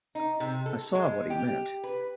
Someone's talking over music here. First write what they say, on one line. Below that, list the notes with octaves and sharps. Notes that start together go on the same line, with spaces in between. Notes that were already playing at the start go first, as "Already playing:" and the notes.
I saw what he meant.
D#4
C3
A4
G#3
G4
B4